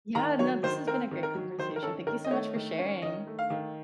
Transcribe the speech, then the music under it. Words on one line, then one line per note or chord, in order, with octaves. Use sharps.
yeah, no, this has been a great conversation, thank you so much for sharing.
D#3 A#5
F#3 C#5
D#3 C5
C4 A#4
D#3
A#4
F#3
D#3 C5
A#4
C#4 A4
D#3 A#4
D#5
A3 C#5
D#3
C#4
D#3 D#5
A3
F5
D#3